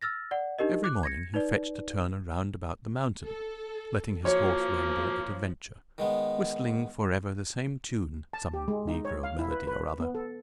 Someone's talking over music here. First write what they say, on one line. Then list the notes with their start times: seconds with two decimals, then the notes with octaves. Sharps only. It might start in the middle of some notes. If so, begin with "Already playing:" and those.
Every morning he fetched a turn round about the mountain, letting his horse ramble at a venture, whistling forever the same tune, some negro melody or other.
0.01 E6 F6 A6 A#6
0.31 D5 F#5
0.59 D4 D#4 G4 A#4 D#5
0.84 D6 F#6
1.03 G#6 A#6 C#7
1.34 D#4 B4 D5
3.25 A4
4.25 F3 A#3 F#4 C#5
5.98 D#3 G#3 B3
8.33 A5
8.54 G4
8.68 G#3
8.87 D#4
9.05 C#5
9.23 F5
9.39 E4
9.51 B4
9.67 B4
10.00 B3
10.15 A4